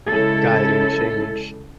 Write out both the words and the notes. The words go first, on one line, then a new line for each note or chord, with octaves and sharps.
guiding change,
C#3 G#3 C#4 E4 A4